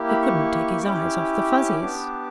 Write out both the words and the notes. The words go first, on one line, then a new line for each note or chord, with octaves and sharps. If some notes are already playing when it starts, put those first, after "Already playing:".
He couldn't take his eyes off the Fuzzies.
Already playing: A#3 E4 G4
B5
C#6
C#4 E4 G4 D6
B3 D4 G4